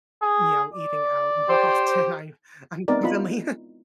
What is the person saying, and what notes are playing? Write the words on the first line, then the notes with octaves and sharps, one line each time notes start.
n you know, eating out more often. I I'm definitely
G#4
D5
G4 C5
G#3 B3 C4 D#4 A#4 D5
B3 E4 F4 D#5 B5